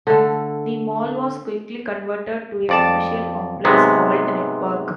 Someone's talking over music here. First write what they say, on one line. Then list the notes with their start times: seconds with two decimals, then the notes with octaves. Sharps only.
The mall was quickly converted to a commercial complex called Netpark.
0.07 D3 A3
2.69 F2 D5 A5
3.65 G#2 C3 F#3 G#3 B3